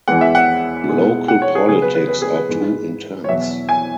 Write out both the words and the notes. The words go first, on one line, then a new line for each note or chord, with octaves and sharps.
Local politics are too intense.
E2 E3 G#3 F#5
E5
F#5
B2 G#3 E4
F#5
C#5
G#4
C#3 F#3 B3 G#4
B4
B4
B4
G#4
B4
G#2 E3 G#3
C#5
E2 B2 F#3 E5
G#5